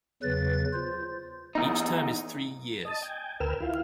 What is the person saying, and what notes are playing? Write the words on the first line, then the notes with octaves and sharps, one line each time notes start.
Each term is three years.
E2 C#3 F#3 B4 A6
F4 C5
E2 D#4
D#5 A5
G5 G#5
D2 A#4 B4 G5 E6 F6
E4 F4 F5